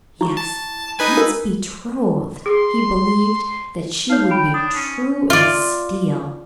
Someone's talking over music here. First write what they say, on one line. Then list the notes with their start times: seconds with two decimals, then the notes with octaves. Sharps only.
Yes, once betrothed, he believed that she would be true as steel.
0.21 E4 C#6
0.37 A5
0.99 D#4 B4 G#5
1.17 A#4
2.46 G#4 C6
4.10 D#4 C#5 F5
4.31 G5 B5
4.54 D4 D#6
4.75 C#4
5.30 F4 D5